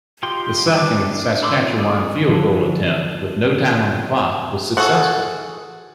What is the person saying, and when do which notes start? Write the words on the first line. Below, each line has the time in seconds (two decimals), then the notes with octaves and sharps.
The second Saskatchewan field goal attempt, with no time on the clock, was successful.
0.23 D#4 F4 G4 G5 C6
0.66 G3 D4 D5 A5 D6
1.13 D4
1.42 A4 B5 C6 D6 E6
1.58 D#4 F4
1.77 A3 B3 G#4 D5
2.29 D3 F3
4.77 F#4 G#4 A4 F#5